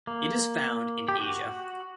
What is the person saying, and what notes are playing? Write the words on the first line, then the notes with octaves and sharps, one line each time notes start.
It is found in Asia.
A#3
G4
F#4